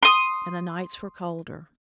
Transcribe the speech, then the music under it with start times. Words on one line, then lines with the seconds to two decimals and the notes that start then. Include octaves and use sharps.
And the nights were colder.
0.03 C6 D#6